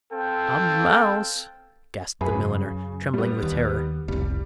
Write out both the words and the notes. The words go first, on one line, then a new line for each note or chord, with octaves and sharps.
"A mouse!" gasped the milliner, trembling with terror.
C4 A4 F5 G5
F#2 G#4 B4 B5
C#3
G3 B3
D#2
F1 C2 G3